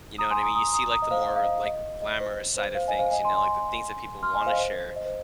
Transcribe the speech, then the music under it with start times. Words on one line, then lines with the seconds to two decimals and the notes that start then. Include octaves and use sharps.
you know what I mean? You see, like, the more, like, glamorous side of things, you know, like, the things that people wanna share,
0.18 A#5 D#6
0.31 G#5 C6
0.42 A#5 D#6
0.55 A#5 D#6
0.73 A#5 D#6
0.91 A#5 D#6
1.02 D#5
1.11 C5 F5
1.29 D#5
1.36 F5
1.43 D#5
1.66 D#5
2.02 D#5
2.20 C5
2.57 C5
2.75 C5 F5
2.88 D#5 G#5
2.99 C5 F5
3.11 D#5 G#5
3.24 G#5 C6
3.37 G#5 C6
4.23 C6 F6
4.35 D#5 G#5
4.46 C5 F5
4.52 D#5
4.58 C5
4.96 D#5
5.05 C5